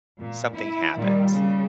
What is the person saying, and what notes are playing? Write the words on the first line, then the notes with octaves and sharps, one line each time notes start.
something happens,
A#2
E4
A#2 D#3 G3
C#3 G3